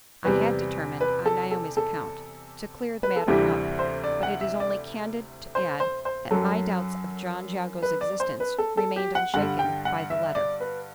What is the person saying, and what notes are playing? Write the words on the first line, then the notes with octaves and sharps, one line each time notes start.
I had determined, on Naomi's account, to clear the matter up; but it is only candid to add that my doubts of John Jago's existence remained unshaken by the letter.
E2 C3 G3 B4
B4
A4
A4
A4
B4
A4
D2 C3 E3 G3 G4
C5
D5
F#5
E5
D5
C5
C5
C5
F#2 F#3 A4
B4
D5
C5
B4
A4
A4
G4
F#5
G2 D3 G3 F#5
G5
F#5
E5
D5
B4